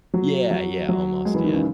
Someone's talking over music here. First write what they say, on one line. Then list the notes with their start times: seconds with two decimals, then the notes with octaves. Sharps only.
Yeah, yeah, almost, yeah.
0.14 F#3
0.51 F#3
0.89 F#3
1.25 G#3
1.35 E3
1.44 D#3
1.53 C#3